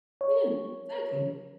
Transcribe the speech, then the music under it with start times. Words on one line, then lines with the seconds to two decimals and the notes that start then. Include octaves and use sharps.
Yeah, exactly.
0.21 C#5